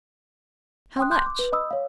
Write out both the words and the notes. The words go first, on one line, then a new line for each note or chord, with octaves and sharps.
"How much?"
G5 C6 D#6 F#6
C6 D6 F#6 G6
D6
B4
D#5 B5 D#6 E6
C#5 F5